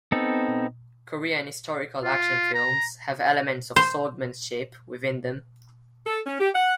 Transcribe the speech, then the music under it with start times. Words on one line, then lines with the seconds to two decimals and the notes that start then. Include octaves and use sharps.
Korean historical action films have elements of swordsmanship within them.
0.12 B3 C4 D#4 A4
2.03 F4
2.54 A#5
3.76 C5
6.05 A4
6.26 C#4
6.40 G4
6.55 F#5